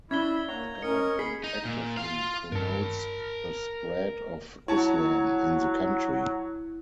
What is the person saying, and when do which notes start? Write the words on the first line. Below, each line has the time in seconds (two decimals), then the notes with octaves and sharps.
The government actively promotes the spread of Islam in the country.
0.11 C#4 D4 E4 E5 B5 G#6 G7
0.48 A#3 C#5 F#5 A#5
0.82 C#4 A#4 D#5 C#7
1.19 G#4 B5 B6
1.44 D#4
1.65 A#2
1.97 F4 F5
2.52 G2 A#4 A5
4.68 F#3 E4 C#5 A5 A#5